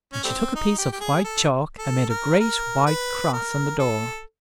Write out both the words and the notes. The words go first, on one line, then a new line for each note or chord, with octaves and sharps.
And she took a piece of white chalk and made a great white cross on the door.
C#4
G3 A3 C4
D#4
G4
G4
G#4
A4
A4
A#4
A#4
B4
A#4
A4